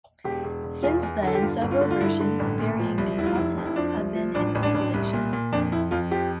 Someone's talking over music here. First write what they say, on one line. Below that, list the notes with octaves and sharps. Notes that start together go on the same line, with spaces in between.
Since then several versions, varying in content, have been in circulation.
E1 G4
E1
E1
E2 F4
E2
D3 A4
G4
G2 F4
G1
F4
D3
F4
G2 E4
D3
A1
A#2
F3
C2
F1 E4
F4
F1 E4
F2
E4
F3 D4
C2
F3
A1 D4
A1
D4
A1
C2
A#2
A#2
F2 D4
F2 E4
F2 F4
F3 G4